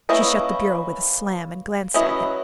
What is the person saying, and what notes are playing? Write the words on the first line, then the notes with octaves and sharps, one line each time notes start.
She shut the bureau with a slam, and glanced at him.
A#3 C#4 E4 B4 D#5
F#3 C#4 E4 B4 D#5